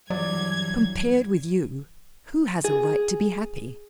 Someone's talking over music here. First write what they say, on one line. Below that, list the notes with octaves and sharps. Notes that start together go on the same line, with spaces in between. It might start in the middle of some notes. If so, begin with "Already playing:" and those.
Compared with you, who has a right to be happy?
G2 E3 F#3 D5 G#6
G#4